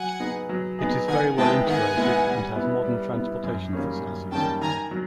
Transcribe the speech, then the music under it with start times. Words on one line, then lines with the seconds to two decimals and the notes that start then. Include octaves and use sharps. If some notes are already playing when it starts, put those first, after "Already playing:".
It is very well integrated and has modern transportation facilities.
Already playing: F#3 F#5 G#5
0.20 B3 D#4 G#4
0.49 F#3
0.79 B3 D#4 G#4
1.08 D#3 F#5 G#5
1.37 G#3 B3 E4 G5 A5
1.67 D#3 F#5 G#5
1.97 G#3 B3 E4
2.26 G3
2.56 B3 E4
2.84 G3
3.14 B3 E4
3.44 F#2
3.73 D#3 G3 A#3 C#4
4.03 F#2
4.32 D#3 G3 A#3 C#4 G5 A5
4.61 D#3 G#5 A#5
4.91 F#3